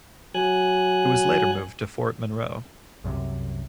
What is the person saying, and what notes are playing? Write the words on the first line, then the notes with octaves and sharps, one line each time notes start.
It was later moved to Fort Monroe.
F#3 G#5 F#6
C2 F#2 C3